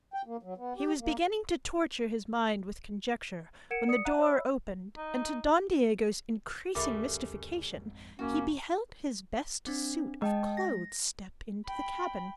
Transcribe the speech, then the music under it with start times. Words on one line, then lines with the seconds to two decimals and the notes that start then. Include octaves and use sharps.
He was beginning to torture his mind with conjecture, when the door opened, and to Don Diego's increasing mystification he beheld his best suit of clothes step into the cabin.
0.14 G5
0.26 A#3
0.43 F#3
0.57 B3
0.77 G4
1.00 A#3
3.70 A#4 F#5 G#6 C#7 D7 E7
3.88 D5 D#6 C#7
4.05 E5 F#5 A#5 F#6 D#7
4.18 C#5 E5 B5 E6
4.97 D#4
6.75 F#1 D2 C#3 G3 A3 A#4 D6
7.73 G#1 F2
8.19 F#1 E2 A#3 C#4 F#4
9.67 C4 D4
10.22 G#3 D#5 G5 A5
10.57 A#6
11.68 G5 B5